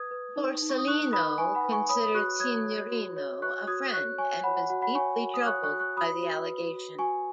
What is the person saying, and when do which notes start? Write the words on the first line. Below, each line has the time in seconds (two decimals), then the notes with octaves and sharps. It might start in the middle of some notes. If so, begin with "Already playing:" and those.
Borsellino considered Signorino a friend and was deeply troubled by the allegation.
Already playing: B4 D#6 G#6
0.11 B4
0.36 D#4
0.62 D#4
0.70 C#6
0.78 D#6
0.87 D#4 C#6 F#6
1.13 B4 B5 D#6
1.38 B4 G#5 C#6
1.55 F#5 B5
1.64 B4
1.72 G#5 C#6
1.89 C#5 B5 D#6
2.03 D#6
2.14 F#4 C#6 F#6
2.40 C#5 D#6 G#6
2.65 C#5
2.91 F#4
3.17 C#5
3.42 F#4 C#6 F#6
3.67 F#4 D#6 G#6
3.93 C#5 C#6 F#6
4.18 C#5 G#5 C#6
4.44 C#5 F#5 B5
4.57 F#5
4.70 F#4 F#5
4.82 F#5 B5
4.95 C#5 G#5 C#6
5.20 F#4
5.34 D#6
5.46 C#5 C#6 F#6
5.64 C#6 F#6
5.72 F#4
5.80 C#6 F#6
5.97 F#4 B5 D#6
6.23 F#4
6.47 B4
6.73 F#4
6.99 F#4 G#5 C#6